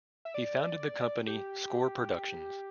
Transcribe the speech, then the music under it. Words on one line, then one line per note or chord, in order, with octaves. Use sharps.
He founded the company Score Productions.
E5
D5
G4